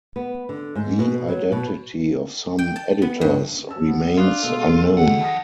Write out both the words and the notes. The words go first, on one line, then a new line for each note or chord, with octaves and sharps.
The identity of some editors remains unknown.
B3
D3
G#2
B2
F#3
B2
G5
A5
B3
G2
C#4 A5 E6
B3
D4 F4 D#6 F#6
B2 G#3 A4
F2 D#3 F#3 G#3 F#5
A5 D#6 A#6